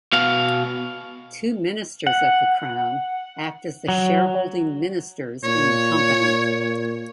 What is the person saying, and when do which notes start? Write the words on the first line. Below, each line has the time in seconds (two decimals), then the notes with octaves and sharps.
Two Ministers of the Crown act as the shareholding ministers in the company.
0.13 B2 F5
2.07 F#5
3.88 F#3
5.44 A#2 C#5